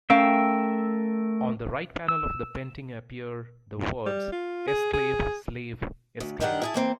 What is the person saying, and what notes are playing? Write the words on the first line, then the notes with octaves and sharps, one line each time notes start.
On the right panel of the painting appear the words "Esclave, Slave, Esclave".
A3 C#4 A#4 E5 F5 G5
E6
G3
F4
G#4
G#4
D2
G2 D#3 D4 E4 G4 F#5
E4 G#4 A5
E3 A#3 C4